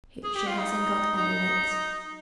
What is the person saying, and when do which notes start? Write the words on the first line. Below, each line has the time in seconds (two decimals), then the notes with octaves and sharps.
She hasn't got any legs.
0.24 G#4
0.35 G4
0.47 F4
0.59 D#4
1.17 D#4